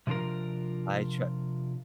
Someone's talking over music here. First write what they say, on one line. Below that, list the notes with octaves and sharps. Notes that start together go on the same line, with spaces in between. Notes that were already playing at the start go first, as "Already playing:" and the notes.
I tr
C3 F3 D4 F4 A#4